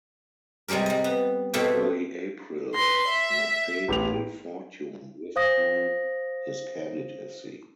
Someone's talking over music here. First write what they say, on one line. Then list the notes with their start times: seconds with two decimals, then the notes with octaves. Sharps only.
In early April, Nathaniel Fortune withdrew his candidacy.
0.68 C3 G3 G#3 G4 A#4
0.86 G3 D#5
1.04 B3
1.54 B2 A3 C4 E4 F4 G4
2.74 B4 C6 A#6
3.08 E5
3.88 A1 G4 F7
5.36 C5 F5 D#6 A#6